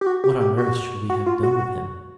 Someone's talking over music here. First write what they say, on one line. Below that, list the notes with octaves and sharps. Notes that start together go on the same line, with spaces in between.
"What on earth should we have done with him?"
G4
F#4
G4
G4
F#4
F#4
F4
F#4